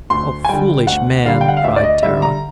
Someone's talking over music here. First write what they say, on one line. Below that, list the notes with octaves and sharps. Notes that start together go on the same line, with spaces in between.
"Oh, foolish man!" cried Tara.
D2 C6
G#5
D3 G3 G5
D2 F#5
D3 G3 F5
G5
F#5
F5
D2 E5
D5
D#5
D3 G3 E5
A#5